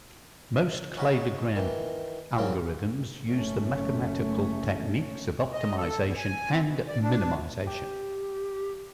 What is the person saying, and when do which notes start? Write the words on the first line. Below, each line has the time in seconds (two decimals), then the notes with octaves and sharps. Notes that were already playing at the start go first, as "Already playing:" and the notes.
Most cladogram algorithms use the mathematical techniques of optimization and minimization.
0.97 C#4 D#4 F#4 B5
1.56 D#3 E3
2.38 C#3 F#3 G3 A#3 C4 C#4
3.29 F#1 A3 C#4
5.53 D#5
5.77 A4
6.00 E2
6.17 G#5
6.50 C4
6.66 B2
6.88 D5
7.02 D4
7.67 G4